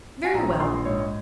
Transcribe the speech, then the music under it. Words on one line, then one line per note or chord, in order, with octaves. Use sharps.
Very well.
G#5
A#1 A#5
A#1 C6
G#2 C#5